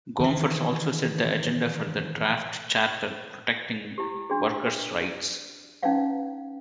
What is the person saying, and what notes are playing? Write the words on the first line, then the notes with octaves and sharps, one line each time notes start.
Gompers also set the agenda for the draft charter protecting workers' rights.
D#3 E3
E4 G4
D4 F#4 G#4
C#4 D#4 E4 B4 F5 F#5